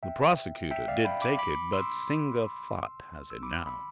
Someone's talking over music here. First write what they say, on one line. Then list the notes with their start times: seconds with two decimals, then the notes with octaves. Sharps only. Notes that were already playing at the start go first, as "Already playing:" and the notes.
"The prosecutor did take it, but Singa Phut has it now."
0.03 E5 G5
0.71 E5 G5
0.88 D5 F5
1.05 G5 B5
1.22 B5 D6
1.39 B5 D6
1.73 C6 E6
3.30 E6
3.43 B5 D6
3.67 B5